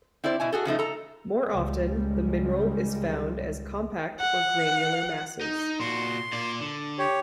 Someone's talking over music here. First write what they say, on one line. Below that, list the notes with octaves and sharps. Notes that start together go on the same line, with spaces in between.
More often the mineral is found as compact or granular masses.
C4 E4 C5 D5
B2 E4 G#5
F#4 G#4 A4
C#3 F3 A3 D#4
A4 A#5
C#2 D#3 G3 G#3
F#5
D#4
A#2 F#4 C6
A#2 D5
D3
G4 C#5